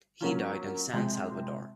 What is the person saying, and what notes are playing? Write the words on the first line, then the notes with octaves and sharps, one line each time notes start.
He died in San Salvador.
F#3 A#3 C#4 F4
C3 F3 G#3 C4